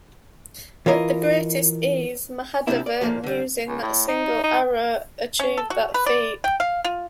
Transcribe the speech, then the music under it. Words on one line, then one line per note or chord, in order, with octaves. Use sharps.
With the greatest ease, Mahadeva, using that single arrow, achieved that feat.
E3 F4 A#4 D#5
G#2 C3 C4 D4 E4
D5
A#2 F3 A#3
D3 G3
C#2
A2
D#4
D#4
C#4
A4
F#4
B4
D5
G5
F5
F4